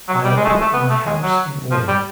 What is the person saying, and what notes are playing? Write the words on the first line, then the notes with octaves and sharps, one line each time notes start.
I'll put my house in order.'
F#3
G3
G#3
A3
G#3
A3
B3
A3
G#3
F#3
F3
G3